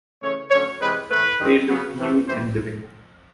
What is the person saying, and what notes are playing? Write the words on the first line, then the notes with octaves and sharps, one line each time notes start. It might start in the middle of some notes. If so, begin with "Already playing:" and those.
They looked new and living.
C#3 E3 A3 C#4 C#5
D3 F#3 A3 C#4 C#5
C3 E3 G#3 C4 B4
A2 E3 A3 B4
G2 D#3 G3 C4
C#3 F#3 B3
C3 E3 A3
G2 E3 G3 C5